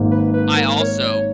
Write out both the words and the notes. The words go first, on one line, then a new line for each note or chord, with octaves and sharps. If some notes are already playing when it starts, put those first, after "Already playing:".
I also
Already playing: G#1 G#2 D#3 A#3
B4
B4
A#4
C#5